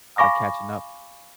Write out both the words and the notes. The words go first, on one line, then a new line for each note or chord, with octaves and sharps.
Lotta catching up.
F5 G#5 B5 C#6 D6 A#6